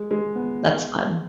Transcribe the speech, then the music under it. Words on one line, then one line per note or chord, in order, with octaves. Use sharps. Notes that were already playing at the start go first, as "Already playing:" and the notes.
That's fun.
Already playing: G#3
G#3
B3